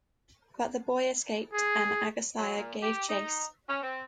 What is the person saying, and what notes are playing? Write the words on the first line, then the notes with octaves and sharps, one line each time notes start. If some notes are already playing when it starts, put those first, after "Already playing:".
But the boy escaped and Agasthya gave chase.
G#4
F#3
A#2
G4
D#4
C#4
C4